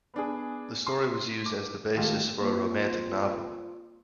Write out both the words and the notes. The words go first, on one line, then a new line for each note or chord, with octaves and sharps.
The story was used as the basis for a romantic novel.
B3 D4 G#4
C6
D6
D#3 G#3 A3 F4 G4
A#3 C4 F4